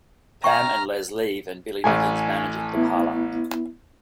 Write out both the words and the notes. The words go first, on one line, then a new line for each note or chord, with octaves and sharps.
Pam and Les leave and Billy begins managing the parlour.
E5 G5 A#5 C#6 F6
A1 A2 A3 G#5
B3 E4